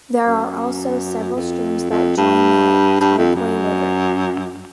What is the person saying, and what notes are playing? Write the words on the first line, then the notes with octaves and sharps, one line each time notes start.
There are also several streams that join the Kaiapoi River.
F#2
F2
F2
G2
G2
F2
F#2